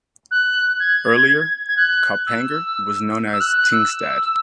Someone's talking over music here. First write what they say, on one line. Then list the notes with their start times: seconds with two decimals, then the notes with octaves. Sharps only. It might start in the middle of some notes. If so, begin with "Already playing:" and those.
Earlier, Kaupanger was known as Tingstad.
0.31 F#6
0.80 G#6
1.68 G#6
1.77 F#6
2.27 E6
3.33 E6
3.41 F#6
3.56 F#6
3.72 E6